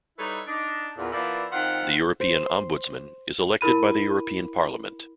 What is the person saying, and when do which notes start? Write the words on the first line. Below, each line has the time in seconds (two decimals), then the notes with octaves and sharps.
The European Ombudsman is elected by the European Parliament.
0.19 G3 D#4 E4 A4 B4 C#5
0.47 D4 D#4
0.97 E2 A#2
1.12 F3 B3 E4 A#4 D5
1.52 D#3 C4 F4 E5 F#5
2.20 C5
3.61 E4 A#4 B5 D#7